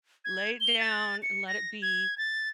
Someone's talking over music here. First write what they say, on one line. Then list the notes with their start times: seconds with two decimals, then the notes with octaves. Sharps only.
lay it down and let it be,
0.25 G#6
0.60 G7
0.80 A6
1.23 C#7
1.48 A#6
1.82 G#6
2.18 A6